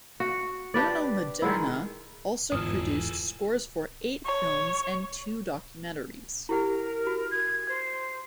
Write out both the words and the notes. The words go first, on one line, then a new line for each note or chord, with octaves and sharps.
Bruno Maderna also produced scores for eight films and two documentaries.
F#4
D4 G4 B4 D5
D#3 G#3 E4
G1 E2 G#2 B2 E3 F4 G#4 A4
C#5
E4 G4 A#4 F#5
F#4
G#6
C5